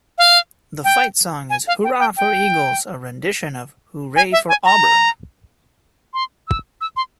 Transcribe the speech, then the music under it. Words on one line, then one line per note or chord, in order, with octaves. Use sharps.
The fight song is Hoorah for Eagles a rendition of Hooray for Auburn!!
F5
G5
G#5
F5
G5
G5
G5
G#5
E5
G#5
A#5
C6
E6
E6
C6